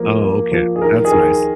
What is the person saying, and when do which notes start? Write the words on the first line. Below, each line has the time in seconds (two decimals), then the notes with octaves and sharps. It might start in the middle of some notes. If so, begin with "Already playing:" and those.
Oh, okay. That's nice.
Already playing: F3 A#3
0.22 A#3
0.52 F3
0.76 G#4
0.81 D#3 A#4
1.05 G#4
1.12 D#3 A#4